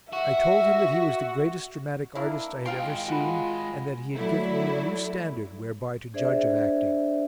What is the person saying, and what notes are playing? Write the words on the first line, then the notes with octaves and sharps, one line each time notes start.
I told him that he was the greatest dramatic artist I had ever seen and that he had given me a new standard whereby to judge of acting.
F#4 E5
A#3 D4 E4
G#3 F4 F5 G5 C6
F4 F#4 F#5 B5
F#3 A3 E4 D5
D4 G#4 C5 D5 E5